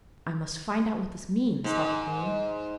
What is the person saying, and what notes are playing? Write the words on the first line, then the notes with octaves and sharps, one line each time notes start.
'I must find out what this means,' thought the queen.
G#2